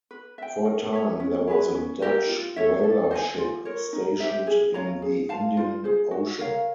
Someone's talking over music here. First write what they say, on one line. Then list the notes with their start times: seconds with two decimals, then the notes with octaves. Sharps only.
For a time, there was a Dutch weather ship stationed in the Indian Ocean.
0.11 B4
0.38 E5 G5
0.65 A#4
0.93 C#5 E5
1.20 C#4
1.47 E4 G#4 B4
1.74 C#4
2.02 E4 G4 A#4
2.29 F4
2.56 A4 C#5 E5
2.83 A4
3.11 C5 D#5 G#5
3.38 F4
3.65 A#4 C#5
3.93 D#4
4.20 G4 C5 E5
4.47 G#4
4.74 C#5 F5 A#5
5.02 G#4
5.29 C5 F5 A5
5.57 F4
5.84 G#4 C5
6.11 F#4
6.38 A#4 C#5 F5